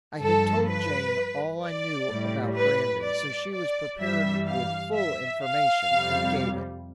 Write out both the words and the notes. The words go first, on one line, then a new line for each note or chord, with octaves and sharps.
I had told Jane all I knew about Brandon, so she was prepared with full information, and gave it.
G2 F3 A4
B4
D5
A2 G3
B4
D5
D5
G2 E3 G3 E5
F5
E5
F5
F2 C3 G3